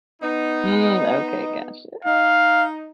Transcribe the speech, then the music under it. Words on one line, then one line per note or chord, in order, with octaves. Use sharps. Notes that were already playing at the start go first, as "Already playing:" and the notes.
Mm, okay, gotcha.
B3 D#4
D#4 F5